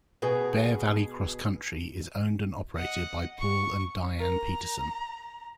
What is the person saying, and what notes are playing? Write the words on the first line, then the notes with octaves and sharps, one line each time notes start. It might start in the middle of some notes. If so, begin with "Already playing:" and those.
Bear Valley Cross Country is owned and operated by Paul and Diane Petersen.
B2 B3 G#4
D#5 F#5
C#6
A#4 A#5